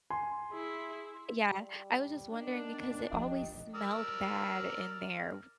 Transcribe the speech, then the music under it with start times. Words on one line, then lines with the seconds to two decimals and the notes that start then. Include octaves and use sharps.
Yeah. I was just wondering because it always smelled bad in there.
0.10 G#5 C6
0.49 E4 G#4
1.53 G3
2.32 D#3 B3 D4
3.13 F3 G4 D#5
3.75 A#4 D5 E6